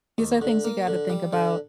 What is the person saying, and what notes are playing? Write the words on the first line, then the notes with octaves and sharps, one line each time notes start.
these are things you gotta think about.
D#2
D3
A#3
D3
G3
D3